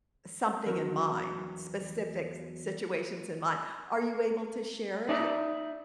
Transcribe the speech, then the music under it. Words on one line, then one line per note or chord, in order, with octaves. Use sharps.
something in mind, specific s situations in mind. Are you able to share it?
E2 F#3 D4 D#4 A#4
D#4 D5 E5